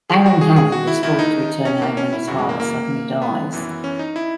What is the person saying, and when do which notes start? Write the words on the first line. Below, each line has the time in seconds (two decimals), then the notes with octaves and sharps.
Aaron Hammond is forced to return home when his father suddenly dies.
0.10 G#4
0.26 F#4
0.41 G#4
0.56 G#4
0.72 F#4
0.87 E4
1.03 D#2 D#3 E4
1.19 D#4
1.65 C#4
1.82 A#3
1.97 C#4
2.13 E4
2.28 F#2 C#3 E3 F#4
2.39 G#3
2.49 A#3
2.60 A#3
3.22 B3
3.52 F#2 E3
3.84 C#4
3.99 D#4
4.16 E4